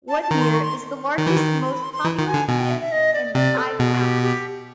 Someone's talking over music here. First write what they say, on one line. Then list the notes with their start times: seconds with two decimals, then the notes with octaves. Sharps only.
Woodmere is the largest and most populous community in the Five Towns.
0.09 A5
0.22 A5
0.31 D#3 A#5
0.41 C6
0.52 C#6
0.63 C6
1.18 D#3
1.27 E3
1.37 D#3
1.61 C6
1.72 B5
1.83 C6
1.94 C6
2.05 E3
2.19 D#3
2.26 G#5
2.34 D3
2.48 B2 G#5
2.59 G5
2.70 E5
2.81 E5
2.92 D#5
3.14 D5
3.35 C3 D5
3.57 A4
3.79 B2 G#4
3.93 F#4
4.01 G4
4.23 G4